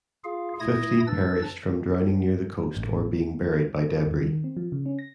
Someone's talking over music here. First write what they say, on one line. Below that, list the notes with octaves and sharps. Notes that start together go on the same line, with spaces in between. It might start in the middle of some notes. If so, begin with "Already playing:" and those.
Fifty perished from downing near the coast or being buried by debris.
F4 G#4 F5
A#2 A3 E4 D#6 G#6 A#6
D4 B4 E6 A6
A1
A#4
D#2
D#3
C4
F3
C#3
C#4
A#6